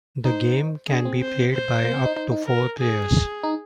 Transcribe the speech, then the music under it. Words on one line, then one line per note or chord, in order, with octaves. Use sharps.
The game can be played by up to four players.
D#4 C5
D4 G#4
C4
C5
C5
A#3
C4
D#4
D#4
D#4
A#4
G#4
D#4